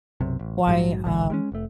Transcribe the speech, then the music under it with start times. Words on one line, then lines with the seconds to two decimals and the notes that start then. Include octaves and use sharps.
why um
0.21 B1 F#2 C3
0.39 A1
0.66 A#1 G#2 F#3
1.04 D1 A#1 D3 G#3
1.30 G3 G#3 C#4
1.52 F1 A3